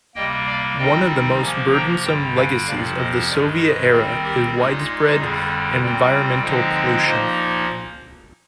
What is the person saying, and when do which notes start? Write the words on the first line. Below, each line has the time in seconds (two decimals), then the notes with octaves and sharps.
One of the most burdensome legacies of the Soviet era is widespread environmental pollution.
0.15 C3 G3 A#3 D#5 G5
0.46 D5 F5
0.78 D#3 G3 C4 D#4 D#5 G5
1.41 C3 F3 A#3 F5 G#5
1.72 G5 A#5
2.03 G2 D3 G3 G5 A#5
2.35 F5 G#5
2.66 F2 C3 F3 D5 F5
2.97 C5 D#5
3.29 G2 D#3 G#3 A#4 D5
3.61 G#4
3.92 D#3 G3 C4 G#4
4.24 G4 A#4
4.55 A#2 G#3 D#4 G#4
5.18 F2 D3 G3 G#4
5.80 A#2 G3 C4
6.43 D3 F3 G#3 C4 D#4
7.06 A#2 F3 A#3 D#4 C5 D#5